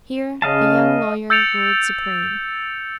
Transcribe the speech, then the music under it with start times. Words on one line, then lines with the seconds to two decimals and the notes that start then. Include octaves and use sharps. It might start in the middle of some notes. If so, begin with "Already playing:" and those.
Here the young lawyer ruled supreme.
0.42 C#3 D#5 F5 A5
1.30 E6 G6 A6 C#7 D7 F7